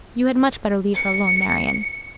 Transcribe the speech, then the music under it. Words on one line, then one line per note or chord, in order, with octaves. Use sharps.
You had much better leave her alone, Marian.
C#7